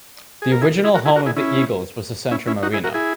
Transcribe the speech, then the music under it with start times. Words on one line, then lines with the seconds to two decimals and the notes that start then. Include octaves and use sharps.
The original home of the Eagles was the Centrum Arena.
0.42 G#4
0.51 A#4
0.61 E4 G#4
0.84 E4 G#4
0.94 F#4 A#4
1.05 E4 G#4
1.16 F#4 A#4
1.26 E4 G#4
1.36 C#4 E4
2.31 C#4 E4
2.47 C#4 E4
2.63 D#4 F#4
2.73 E4 G#4
2.84 F#4 A#4
2.94 E4 G#4